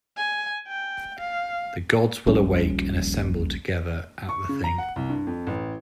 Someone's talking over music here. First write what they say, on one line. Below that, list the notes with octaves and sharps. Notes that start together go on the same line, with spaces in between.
The gods will awake and assemble together at the thing.
G#5
G5
F5
D#1 A#1 G3 C#4
C#6
C#3
A#5
F#5
C2
G2
F2
A1